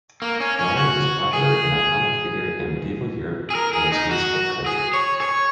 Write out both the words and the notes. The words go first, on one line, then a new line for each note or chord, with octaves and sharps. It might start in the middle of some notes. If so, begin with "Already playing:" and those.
Roland was a popular and iconic figure in medieval Europe and its minstrel culture.
A#3
C#4
C#4
F#4
G#4
G#4
A#4
G#4
D#4
F#4
G#4
C#5
C#5